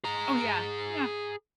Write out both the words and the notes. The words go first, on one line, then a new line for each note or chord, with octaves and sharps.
Oh yeah, yeah.
G#4 A#5